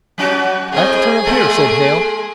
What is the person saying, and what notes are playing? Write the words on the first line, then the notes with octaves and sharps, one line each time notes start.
"I have to turn up here," said Hale.
F#3 C#4 F#4
A2 C4 G#4 D#5
G#3 A4